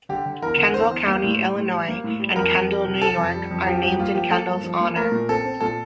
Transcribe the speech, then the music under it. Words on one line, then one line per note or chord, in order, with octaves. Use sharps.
Kendall County, Illinois, and Kendall, New York, are named in Kendall's honor.
D3 G4
D3
E2 A#4
D3
E2 C5
E2
A#3
A2
G3
A2
G3
A#3
A2
G3
F2 A#4
F2
G3
C3
C4 A4
F2
G3
F2
F3 G4
G2 G4
A#3 F4
F3 G4
A#3 A4
G2
F3
A#3
A3 A#4
A#2
C4 A4
C4
A#2 A4